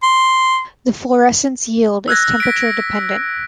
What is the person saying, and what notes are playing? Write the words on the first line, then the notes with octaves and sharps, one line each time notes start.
The fluorescence yield is temperature dependent.
C6
E6 F#6 G#6 A#6
B6 D7